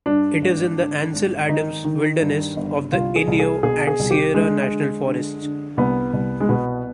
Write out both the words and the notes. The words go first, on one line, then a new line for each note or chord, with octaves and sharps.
It is in the Ansel Adams Wilderness of the Inyo and Sierra National Forests.
G2 D4
G#1
D3
G#1
D#3 D#4
D#3
G2
G1
C2 F4
G#4
C2
G#4
B2 G#4
G#4
C2
G4
D3 G#3
D3
D3
D3
C2 B3
C2
G#3
B2 B3